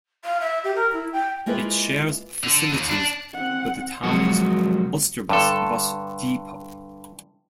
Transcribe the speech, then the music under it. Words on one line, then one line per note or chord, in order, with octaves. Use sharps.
It shares facilities with the town's Ulsterbus bus depot.
F5
E5
G4
A#4
E4
G5
G#3 A#3 E4 F4 G#4 B4
D3
D#2
D4
C4 F#5
C3 F3 F#3 G#3 A#3 F#4
G2 D3 A4